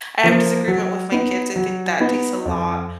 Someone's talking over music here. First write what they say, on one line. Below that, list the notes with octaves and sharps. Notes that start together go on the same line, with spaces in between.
I have disagreement with my kids, I think that takes a lot,
F3 A#3
F#3
B3 D#4
F#3
B3 D#4
F2